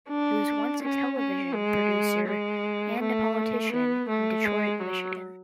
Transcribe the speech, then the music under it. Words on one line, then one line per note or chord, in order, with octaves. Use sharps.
He was once a television producer and a politician in Detroit, Michigan.
D4
C#4
C#4
G#3
G#3
A3
B3
A3
G#3
F#3